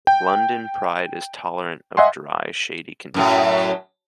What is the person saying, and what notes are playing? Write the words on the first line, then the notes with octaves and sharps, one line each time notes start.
London Pride is tolerant of dry, shady conditions.
G5
D#5 E5 F#5 G#5 C6
F#2 A2 F#3